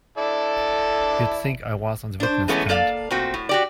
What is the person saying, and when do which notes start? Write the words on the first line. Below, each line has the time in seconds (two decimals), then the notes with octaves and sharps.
You'd think I was on the witness stand!
0.18 E4 A4 D5
2.20 D4 C5
2.48 E3 G#3 A3 B3 C#4
2.69 A#3 A4 D5 F5
3.11 A#2 A3 C4 F#4
3.34 A2
3.49 F#4 G4 D5